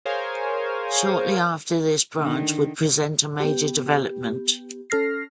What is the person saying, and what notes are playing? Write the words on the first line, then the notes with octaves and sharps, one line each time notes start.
Shortly after this branch would present a major development.
G#4 A#4 C5 C#5 F5 G#5
D3 D#3
B3 G4
C#4 A4 F6 A#6 C7